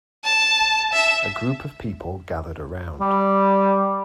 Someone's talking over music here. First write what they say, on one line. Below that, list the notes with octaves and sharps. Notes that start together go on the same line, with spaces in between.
A group of people gathered around.
A5
E5
G3